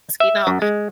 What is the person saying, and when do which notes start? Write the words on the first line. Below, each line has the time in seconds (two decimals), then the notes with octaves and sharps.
you know?
0.20 E5
0.47 F#2
0.62 G#3